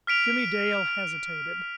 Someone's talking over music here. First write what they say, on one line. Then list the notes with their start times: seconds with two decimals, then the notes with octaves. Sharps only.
Jimmie Dale hesitated.
0.07 F6 B6 D7 F7